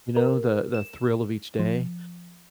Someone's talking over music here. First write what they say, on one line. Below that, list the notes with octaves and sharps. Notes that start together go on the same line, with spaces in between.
you know, the the thrill of each day
A#4
E7
F3